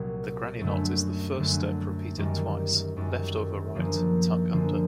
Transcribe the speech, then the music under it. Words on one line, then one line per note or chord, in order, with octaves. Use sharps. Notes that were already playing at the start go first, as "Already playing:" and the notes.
The granny knot is the first step repeated twice, "left over right, tuck under".
Already playing: C2 A#2 F#3
F#2 D3 F#3 A3
F#2 D3 F#3 A3
F#2 D#3 G3
F#2 D#3 G3
F#2 D3 F3 A#3
F#2 D3 F3 A#3